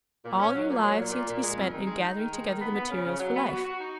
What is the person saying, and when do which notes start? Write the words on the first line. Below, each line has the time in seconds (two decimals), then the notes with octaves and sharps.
All your lives seem to be spent in gathering together the materials for life.'
0.24 A#2
0.40 C#4
0.54 F#3
0.69 A#2
0.84 F#3
0.99 A#2
1.13 A#2
1.28 A#2
1.43 G#3
1.57 F2
1.72 D#3
1.87 G#3
2.02 D#4
2.16 D#3
2.31 G#3
2.46 D#3
2.60 B3
2.75 B3
2.90 C#3
3.05 C#3
3.20 F#3
3.35 B3
3.49 F#4
3.64 F#4
3.78 D#4